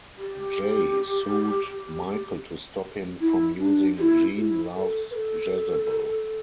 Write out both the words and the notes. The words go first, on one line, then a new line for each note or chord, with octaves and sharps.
Jay sued Michael to stop him from using Gene Loves Jezebel.
G4
E4
D4
G4
E4
G4
E4
A4
B4
A4